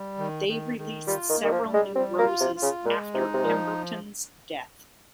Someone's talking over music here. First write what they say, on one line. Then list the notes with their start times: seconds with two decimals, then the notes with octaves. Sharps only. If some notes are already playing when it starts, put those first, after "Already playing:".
They released several new roses after Pemberton's death.
Already playing: G3
0.19 D#3
0.48 D#3
0.78 D#3
1.07 G3 F4
1.29 D#3
1.36 A#3
1.43 D#3
1.51 F3
1.66 G3
1.74 G#3
1.96 G3 C4
2.18 A#3
2.25 F4
2.40 C3
2.56 F4
2.62 C#3
2.84 A#2 G#3
3.14 C3 D#4
3.34 C3
3.44 A#2 F3